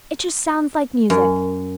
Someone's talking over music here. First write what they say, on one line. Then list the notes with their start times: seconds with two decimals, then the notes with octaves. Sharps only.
It just sounds like music.
1.10 F#2